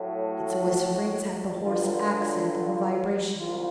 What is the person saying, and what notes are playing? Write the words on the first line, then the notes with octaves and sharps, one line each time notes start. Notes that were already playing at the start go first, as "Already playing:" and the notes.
Its whisperings had the hoarse accent of a vibration.
Already playing: A2 F#3 A3
F#4
G2 D3 F#3 F4
F4
C2 F4